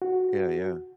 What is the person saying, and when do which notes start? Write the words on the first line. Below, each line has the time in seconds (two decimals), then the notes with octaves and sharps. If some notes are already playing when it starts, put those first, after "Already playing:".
Yeah, yeah.
0.02 F#4